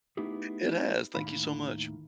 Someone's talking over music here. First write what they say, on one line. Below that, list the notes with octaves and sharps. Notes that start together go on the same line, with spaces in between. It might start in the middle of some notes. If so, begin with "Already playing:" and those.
It has, thank you so much.
A3 B3 D#4 E4 G4 G#4
D#2 A2 D#3 F5 B5